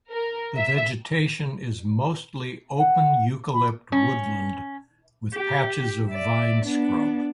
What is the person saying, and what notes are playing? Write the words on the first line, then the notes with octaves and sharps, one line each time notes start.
The vegetation is mostly open eucalypt woodland with patches of vine scrub.
A#4
E5
F#5
B5
C#4
G4
D5 E5
B3 D4